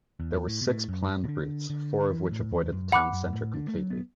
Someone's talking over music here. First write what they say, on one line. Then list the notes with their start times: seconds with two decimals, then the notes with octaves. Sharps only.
There were six planned routes, four of which avoided the town centre completely.
0.20 E2
0.48 A2
0.62 B2
0.67 A2
0.89 F#2
1.24 B2
1.28 D3
1.70 D3
2.11 E3
2.31 A2
2.51 E2
2.72 F#2
2.92 E2 F#5 B5 D6 F#6
3.13 F#2
3.33 A2
3.54 D3
3.68 A3
3.74 F#3
3.90 B3